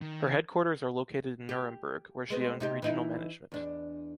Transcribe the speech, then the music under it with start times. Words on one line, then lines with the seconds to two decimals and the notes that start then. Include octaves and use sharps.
Her headquarters are located in Nuremberg, she owns regional management.
0.01 D#3
1.49 G4
2.30 G#3 B3 C4
2.60 C3 D#4 G4
2.82 E3 D#4 E4
3.52 E2 D4